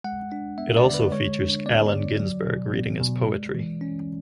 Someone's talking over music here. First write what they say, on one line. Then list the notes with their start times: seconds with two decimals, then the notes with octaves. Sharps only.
It also features Allen Ginsberg reading his poetry.
0.04 G#3 F#5
0.32 D4
0.58 B3 E5
0.77 D5
0.86 D3
0.94 B4
1.12 G#3 C#5
1.39 D4
1.66 B3 D5
1.93 D3
2.20 F#3
2.47 B2
2.73 B3
3.01 B2
3.28 G#3
3.55 E3
3.81 C#4